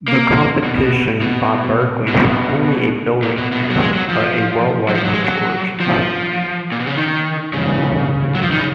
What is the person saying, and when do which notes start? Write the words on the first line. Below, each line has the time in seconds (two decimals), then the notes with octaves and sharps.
The competition brought Berkeley not only a building plan but worldwide notoriety.
0.08 A#3
0.64 B2
1.22 B2
2.08 B2
3.23 A#2
3.38 B2
3.52 B2
3.70 F#3
3.79 G#3
3.94 F#3
4.09 F3
4.89 F#3
4.94 F3
5.04 F#3
5.14 G#3
5.24 F#3
5.80 F3
6.72 A#2
6.80 B2
6.87 C#3
6.96 D#3
7.53 C#3
8.35 F#3
8.42 F3
8.51 D#3
8.59 C#3